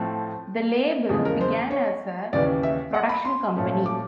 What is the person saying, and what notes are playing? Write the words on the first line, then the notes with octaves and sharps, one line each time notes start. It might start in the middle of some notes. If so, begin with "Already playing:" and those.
The label began as a production company.
Already playing: A2 F3 A3 C4
E2 C#3 F3 G#3 G#4
A#4
C5
C#5
D#2 C#3 E3 D5
E5
F#5
B5
C6
A#2 F3 A3 C#4
D6